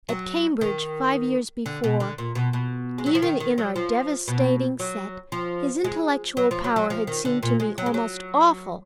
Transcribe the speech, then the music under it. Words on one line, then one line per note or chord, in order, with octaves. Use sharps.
At Cambridge, five years before, even in our devastating set, his intellectual power had seemed to me almost awful.
F#3
D#3
D3
B2
D3
A#2
B2
B2
G#3
F#3
F3
D#3
D#3
F#3
F3
B2
F#3
F3
G#3
F#3
F3
F#3
F#3
F3
D#3
D3
A#2
G#3
F#3
G#3
F#3